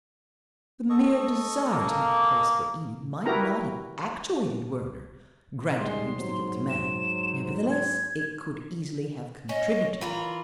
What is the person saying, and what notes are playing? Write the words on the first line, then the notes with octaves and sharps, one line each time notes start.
The mere desire to make a place for Enid might not have actuated Werner, granting he was the guilty man. Nevertheless it could easily have contributed.
A4 D#5 C#6
A#3
E4 F#4 G4 A#4 B4 A#5
D#2 G3 G#3 C6
G#2 F#3 C5
E7
G#6
C#4 D#5
E3 F4 A#4 B5